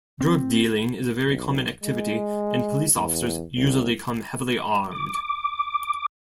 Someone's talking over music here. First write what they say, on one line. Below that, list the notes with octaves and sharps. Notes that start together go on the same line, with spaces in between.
Drug dealing is a very common activity and police officers usually come heavily armed.
C4
B1
G#3
E2
C2
D6